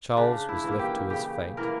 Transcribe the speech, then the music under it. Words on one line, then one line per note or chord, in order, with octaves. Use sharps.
Charles was left to his fate.
C#3 D4
E4
E3 A#3
G4
C#3 G4
E3 A#3 A#4